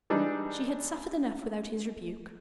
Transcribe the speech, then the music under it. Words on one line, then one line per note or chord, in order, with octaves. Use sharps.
She had suffered enough without his rebuke.
E3 G3 G#3 D4 D#4